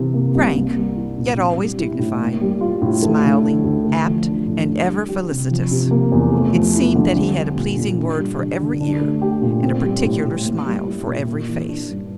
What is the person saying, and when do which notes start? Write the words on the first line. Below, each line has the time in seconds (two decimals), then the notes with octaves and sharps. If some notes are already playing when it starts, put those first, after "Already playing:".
Frank, yet always dignified, smiling, apt, and ever felicitous, it seemed that he had a pleasing word for every ear, and a particular smile for every face.
Already playing: C3 E3
0.14 A#3
0.35 C2
0.55 A#3
0.76 G3
0.96 E4
1.17 A#2
1.37 C4
1.58 G3
1.79 E4
1.99 A2
2.21 A#3
2.41 G3
2.61 F4
2.82 A2
3.03 A3
3.23 D3
3.43 D4
3.64 D2
3.85 A3
4.05 F3
4.26 D4
4.47 A2
4.67 D4
4.88 G3
5.09 G4
5.30 C3
5.50 F3
5.71 C3
5.91 A#3
6.12 E2
6.33 A3
6.53 F3
6.74 E4
6.95 D3
7.15 C4
7.35 G3
7.56 A#2
7.77 A#2
7.98 D4
8.18 G3
8.39 D3
8.60 D3
8.80 D4
9.01 A3
9.22 G4
9.42 A#2
9.63 C4
9.83 G3
10.04 A2
10.24 A2
10.45 A#3
10.66 G3
10.86 E4
11.07 A#2
11.27 A#3
11.48 E3
11.69 D4
11.90 G2